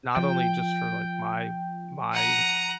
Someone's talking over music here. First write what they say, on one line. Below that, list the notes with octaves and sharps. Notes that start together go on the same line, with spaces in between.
not only just for, like, my my
F3 G5
F#5 A#5 D#7